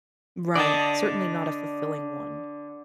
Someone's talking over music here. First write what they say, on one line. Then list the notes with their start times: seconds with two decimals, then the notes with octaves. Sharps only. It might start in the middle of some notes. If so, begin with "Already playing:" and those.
Right, certainly not a fulfilling one.
0.55 D3 D5 D#5 A5